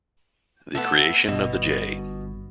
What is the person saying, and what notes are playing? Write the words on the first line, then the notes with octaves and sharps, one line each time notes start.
The creation of the J.
A3 B3
G1 G2 B2 B3